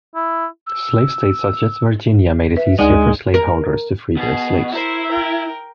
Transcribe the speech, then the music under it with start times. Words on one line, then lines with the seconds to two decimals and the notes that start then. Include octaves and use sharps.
Slave states such as Virginia made it easier for slaveholders to free their slaves.
0.15 E4
0.67 E6
2.57 B4 E5
2.79 D2 G#3 D#4 D5 G#5
3.34 A#4
4.17 B2 G#4
4.73 E4 A#4 C5
5.09 A#4 G5